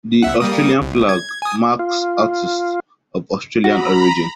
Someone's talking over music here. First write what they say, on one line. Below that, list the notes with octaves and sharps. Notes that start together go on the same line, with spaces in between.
The Australian flag marks artists of Australian origin.
C2 E5 F#5
G3 A#3 D#6
C2
G#6
G#5 D#6
F4
F#4 A#5 B5